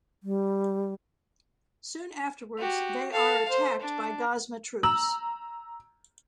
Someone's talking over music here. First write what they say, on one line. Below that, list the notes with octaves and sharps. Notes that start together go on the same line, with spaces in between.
Soon afterwards, they are attacked by Gozma troops.
G3
F#4 G4
A4 F5
C5
D4
A#5 E6 F#7